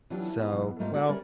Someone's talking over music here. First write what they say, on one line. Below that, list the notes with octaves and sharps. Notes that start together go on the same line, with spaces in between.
so, well,
E3 F#3 C#4 D4 F4 G4
B3
F#2 B2 E3
G#2 G3 A3 A#3 F4 F5
F#4 A#4 D5
G3 C#4 A#4 C#5 D5 E5